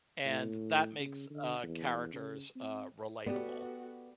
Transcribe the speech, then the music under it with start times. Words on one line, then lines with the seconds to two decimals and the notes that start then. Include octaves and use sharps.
And that makes, uh, characters, uh, relatable.
0.25 A2
0.99 C#3
1.30 D3
1.63 E2
2.13 C#3
2.55 C4
3.26 B3 F#4 G4 A4 D5